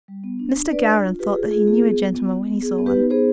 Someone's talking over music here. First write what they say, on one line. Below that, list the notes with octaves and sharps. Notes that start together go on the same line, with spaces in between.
Mr. Gowran thought that he knew a gentleman when he saw one.
G3
B3
D4
D4
D4 B4 D5
F4
F4
F4 G4 B4
F4 G#4
F4 G#4
B3 G#4
B3
F4
B3
B3
B3
B3 G#4
B3
G4 B4
D#4
B3 G#4 C5